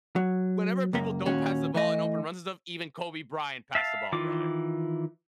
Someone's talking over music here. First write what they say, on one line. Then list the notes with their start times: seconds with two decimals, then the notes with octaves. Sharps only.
whenever people don't pass the ball in open runs and stuff, even Kobe Bryant passed the ball, brother.
0.16 F#3
0.93 C#2 F#2 A#3
1.26 D#2 A#2 C#4 F#4
1.74 E3 A3 D#5
3.75 E5 F5 A5
4.12 D#3 E3 F4 D6